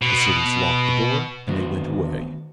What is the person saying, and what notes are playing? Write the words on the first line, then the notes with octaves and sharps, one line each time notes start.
The servants locked the door, and they went away.
B2
D3 D#3 A3 B3 F#4 C5